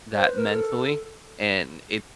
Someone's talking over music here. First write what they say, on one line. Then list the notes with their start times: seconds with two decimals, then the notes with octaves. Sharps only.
that mentally and it's
0.14 C5
0.26 B4
0.38 A#4
0.50 A4